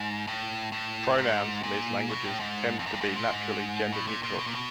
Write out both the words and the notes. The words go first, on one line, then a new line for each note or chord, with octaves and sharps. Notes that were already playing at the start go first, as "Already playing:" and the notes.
Pronouns in these languages tend to be naturally gender-neutral.
Already playing: G#2
A2
A2
G#2
A#2
B2
A2
G#2
F2
F#2
G2
G#2
A#2
G#2
A2
A#2
A#2
B2
A#2
B2